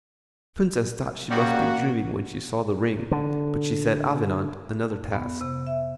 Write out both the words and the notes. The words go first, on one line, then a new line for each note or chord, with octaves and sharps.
The Princess thought she must be dreaming when she saw the ring, but she set Avenant another task.
F#2 C#3 G3 A#3 F#4
D3
F2
B3
C3
E5